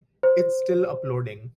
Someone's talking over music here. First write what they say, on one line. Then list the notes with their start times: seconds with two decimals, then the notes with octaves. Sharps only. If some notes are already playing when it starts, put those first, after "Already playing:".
It’s still uploading.
0.23 C5